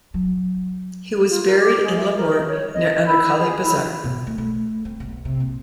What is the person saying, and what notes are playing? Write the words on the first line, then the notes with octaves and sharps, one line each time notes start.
He was buried in Lahore near Anarkali Bazaar.
F#3
F4
A#4
G4
G#3
E5
A#4
C#5
D#5
E4
G#4
E4
B2
A3
A3
C4
B1
C3
A#1